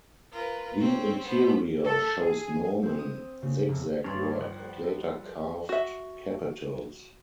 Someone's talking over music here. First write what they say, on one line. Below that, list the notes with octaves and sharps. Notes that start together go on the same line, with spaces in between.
The interior shows Norman zig-zag work and later carved capitals.
F4 A#4 B4
C4 C#4
A3 B3 C5
A4
G#4
C4
D#6
C#3
F1
G2 B4 C#5 D5 C6
G1 F3 G3 F#5
A4
F#4 E5